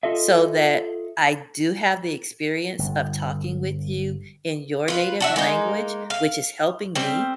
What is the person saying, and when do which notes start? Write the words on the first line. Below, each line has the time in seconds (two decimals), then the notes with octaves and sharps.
so that I do have the experience of talking with you in your native language which is helping me"
0.03 F4 A4 D#5 E5
2.79 G1
4.88 F4 B4
5.20 D4 F#4 E5
5.36 G#3 A#3 D#4
6.10 F5
6.95 G3 C4